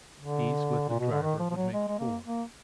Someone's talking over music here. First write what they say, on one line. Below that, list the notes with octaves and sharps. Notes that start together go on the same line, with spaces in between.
These, with the driver, would make four.
D3
A#2
B2
D3
D#3
F3
F3
F#3
G#3
G#3
A#3
A#3